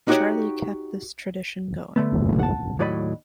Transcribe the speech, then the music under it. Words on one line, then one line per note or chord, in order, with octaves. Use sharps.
Charlie kept this tradition going.
D#4 F#4 G4 C#5 F#5
D3 A3 B3
F#5 A5
D#2 A2 F#3 D5 D#5 B5